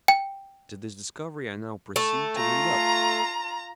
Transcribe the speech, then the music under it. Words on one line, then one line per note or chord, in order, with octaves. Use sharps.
To this discovery I now proceed to lead up.
G5
A3
F4 A#5